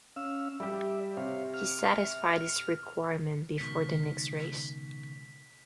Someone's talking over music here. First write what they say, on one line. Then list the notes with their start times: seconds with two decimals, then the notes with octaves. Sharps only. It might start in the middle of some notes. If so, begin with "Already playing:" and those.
He satisfied this requirement before the next race.
0.16 C#4 F5 E6
0.60 G3 G4 D5 E5
1.17 C3 C5 C#5 F5
1.54 F6
3.58 C#2 B2 D#3 B6